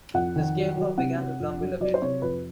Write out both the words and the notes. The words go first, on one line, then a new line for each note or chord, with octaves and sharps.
The Scarecrow began to grumble a bit.
F2 F#5
D#3
F#3
F#3
C3 F#5
C3
F2
F#3
F#3 D5
C5
C3 C#5
F2 B4